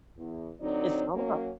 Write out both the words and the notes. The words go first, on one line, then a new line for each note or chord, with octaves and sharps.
It's all about
E2
D3 F#3 C4 D#4 C#5 D5
F#3 A#3 C#4